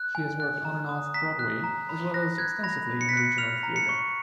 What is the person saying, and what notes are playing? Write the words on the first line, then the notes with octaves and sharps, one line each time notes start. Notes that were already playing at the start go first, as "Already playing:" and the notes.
She has worked on and Off Broadway as well as extensively in regional theater.
Already playing: F#6
G#5
F#6
A#5
D#6
A#5 B6
F#6
A#5
B5
F#6 A#6
F#6 G#6
B5 A#6
B5
C#7
B6
F#6 C#7
F6 F7
A#5
C#7
C#6